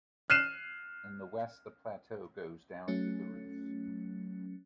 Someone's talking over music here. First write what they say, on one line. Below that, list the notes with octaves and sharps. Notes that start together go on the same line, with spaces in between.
In the west the plateau goes down to the Reuss.
F6 F#6 C7 D#7 E7
F#3 A3 C#4